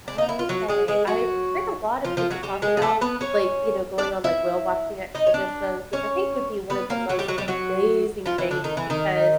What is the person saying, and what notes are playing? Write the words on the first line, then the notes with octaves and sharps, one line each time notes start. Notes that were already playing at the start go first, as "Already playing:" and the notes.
Okay. I heard a lot of people talk about, like, you know, going on, like, whale-watching expeditions, which I think would be one of the most amazing things because
D4
D#4
E4
F4
F#3 F#4
G#3 G#4
G#3 G#4
F#3 F#4
F3 F4
F3 F4
F#3 F#4
G3 G4
G#3 G#4
G#4
A3 A4
B3 B4
C#4 C#5
D4 D5
E4 E5
D#4 D#5
C#5
D4 D5
C#4 C#5
B3 B4
A#3 A#4
F#3 F#4
G3 G4
F#3 F#4
G3 G4
F#3 F#4
F3 F4
E3 E4
D3 D4
D#3 D#4
E3 E4
D#3 D#4